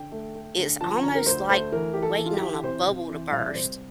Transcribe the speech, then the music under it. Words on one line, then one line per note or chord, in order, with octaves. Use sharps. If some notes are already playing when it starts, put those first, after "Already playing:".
it's almost like waiting on a bubble to burst,
Already playing: D3 G5
A3
A3
D3
F3 A5
D3 A#5
A#4
D2 C5
A3 C5
E3 A#4
E3 G4
A4
E3
F4
G4
E3
C3 C5
C3
E3
C2 F5
E5
D5
C2 C5